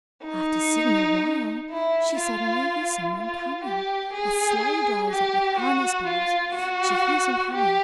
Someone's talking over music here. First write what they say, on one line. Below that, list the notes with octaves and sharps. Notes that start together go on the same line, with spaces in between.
After sitting a while, she suddenly hears someone coming... a sleigh drives up with harness bells; she hears him coming!
D#4
E4
F4
F4
G4
G#4
G4
F#4
F4
F#4
G4